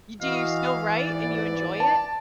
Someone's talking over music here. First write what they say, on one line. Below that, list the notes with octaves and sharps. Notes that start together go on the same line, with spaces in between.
you do you still write and you enjoy it?
E3 E4 F#4 D#5 F5
E2 G#2 D5
A5